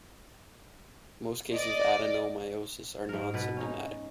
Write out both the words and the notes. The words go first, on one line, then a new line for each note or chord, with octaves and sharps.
Most cases of adenomyosis are non-symptomatic.
D5 D#5
G#2 A#4
B2 B4
C#4 D#4